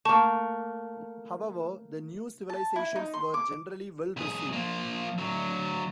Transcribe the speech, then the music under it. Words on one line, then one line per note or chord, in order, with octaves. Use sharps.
However, the new civilizations were generally well received.
A3 A#3 A5 C#6
A5
E4
D#4
C6
D6
C2 G#4
F3 A#3
D2 F#3